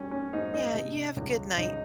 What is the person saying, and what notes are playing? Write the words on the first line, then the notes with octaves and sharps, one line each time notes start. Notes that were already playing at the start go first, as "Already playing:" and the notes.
Yeah, you have a good night.
Already playing: G3 C#4
C#4
G#2 D#4
D#4
C3
C#2
C#2 D#4